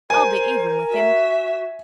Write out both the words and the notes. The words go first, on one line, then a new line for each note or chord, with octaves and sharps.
I'll be even with him.
A#4 C5 G#5
F#4 E5